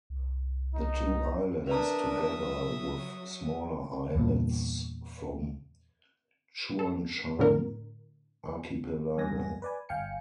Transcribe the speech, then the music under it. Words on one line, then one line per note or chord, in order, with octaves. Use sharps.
The two islands, together with smaller islets, form Chuanshan Archipelago.
C2
D#4
D4 A#4 B4 D5 E5 A#5 D#6
F#3
E2 G2 A#2
A4
A2 D3 A#4
E2 G2 G#5 A#6
B4 D5 G#5
G1 F5 G5 G#5 C#7